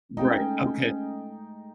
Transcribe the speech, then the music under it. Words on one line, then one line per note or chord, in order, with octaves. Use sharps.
Right, okay.
G#3 A3 C#4 D#4 G5 A5